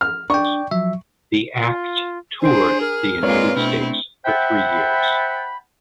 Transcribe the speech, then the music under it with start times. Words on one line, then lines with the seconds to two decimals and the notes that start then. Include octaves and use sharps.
The act toured the United States for three years.
0.01 F6
0.30 D4 D5 G5 C#6
0.71 F3 F#3 E5
1.62 F4
2.42 D4 G#4 C5 C7 D7
2.81 A#4 F6
3.23 G#2 G#3 A#3 C4 F4 B4 C#5 D5
3.56 B2 A3 C4 D4 E4
4.26 C5 E5 F#5 G5 A5 B5